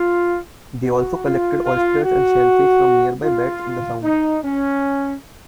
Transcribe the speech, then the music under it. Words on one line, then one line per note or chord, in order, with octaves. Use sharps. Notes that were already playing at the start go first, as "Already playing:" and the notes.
They also collected oysters and shellfish from nearby beds in the Sound.
Already playing: F4
F#4
F4
F4
F#4
F4
D#4
C#4